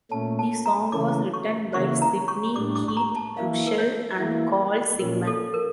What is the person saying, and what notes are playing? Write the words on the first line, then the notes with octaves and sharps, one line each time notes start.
The song was written by Sidney Keith Russell and Carl Sigman.
A#2 A3 C#4 A5
A5
A#5
C#3 E3 A3 C#4 D6
C#6
C#3 E3 A#3 C#4 E4 C#6
A#5
C#6
A2 G3 D4 D6
D6
C#6
A#5
A5
E3 A#3 E4 F5
A#4
C#5
E3 A#3 E4
A#2 F3 C#4 A#4
A4
A#4